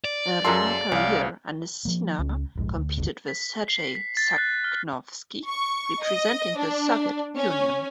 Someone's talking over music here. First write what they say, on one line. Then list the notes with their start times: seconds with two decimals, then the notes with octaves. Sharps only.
Early in her career, Anissina competed with Sergei Sakhnovski, representing the Soviet Union.
0.04 D5
0.45 F#2 G#3 A#3 A4 C6
0.92 C2 C#4 F5
1.85 F3 A#3
2.19 C#2 C#4
2.55 D#1 A#1 G#2
2.75 D2
2.97 D1 G1 D#2 D3
3.28 B6
3.68 C7
3.95 B6
4.17 A6
4.38 F#6
4.64 F6
5.47 C#6
6.02 D#5
6.56 D4
7.37 C#4